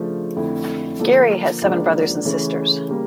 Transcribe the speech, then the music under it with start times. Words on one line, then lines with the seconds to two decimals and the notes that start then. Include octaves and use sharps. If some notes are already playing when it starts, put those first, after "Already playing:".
Geary has seven brothers and sisters.
Already playing: C#3 F3 A3 D4 F4
0.36 F2 D3 A3 E4
0.99 D3 F3 A#3 D4 A4
1.62 C#2 C#3 F3 A#3 D4
2.25 C#3 E3 A3 C#4
2.88 C#3 G3 A#3